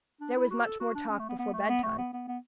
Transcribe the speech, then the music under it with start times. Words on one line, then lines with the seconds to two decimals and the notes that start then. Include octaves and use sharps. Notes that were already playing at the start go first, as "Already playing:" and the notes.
There was much more talk before bedtime.
0.21 D4
0.36 E4
0.51 F#4
0.65 A4
0.80 F#4
0.95 D4
1.09 C#4
1.19 A3
1.29 B3
1.39 B3
1.54 A3
1.69 B3
1.83 A3
1.98 B3
2.13 B3
2.28 B3